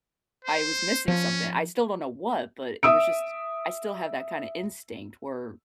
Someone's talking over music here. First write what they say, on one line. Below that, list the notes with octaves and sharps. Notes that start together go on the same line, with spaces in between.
I was missing something. I still don't know what, but it was just I still have that kinda instinct where
C5
F3 C#4
E5 D#6 E6 D7